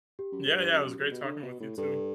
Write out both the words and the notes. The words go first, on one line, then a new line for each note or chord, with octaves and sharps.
Yeah, yeah. It was great talking with you, too.
G4
F#2
G2
G2
F#2
F#2
F#2
B2
D3
B2
A2
G2 A4